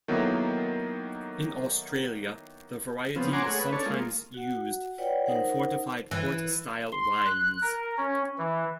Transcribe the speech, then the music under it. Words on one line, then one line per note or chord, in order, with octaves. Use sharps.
In Australia, the variety is sometimes used in fortified port-style wines.
D#3 F#3 A#3 B3 E4 A4
C#3 F3 B3 C4
C#5 F#5 G#5 A#5 C6 D6
A3 G#4 C#5 F#5
B4
C#4 D4 A4 C#5
G#3 A#3 F4
F#4 F#5
F4 B4 C#5 D5 F#5 G5
D#4 A#4 C5 F#5
E3
C6
F#6
A#4
C#4
E3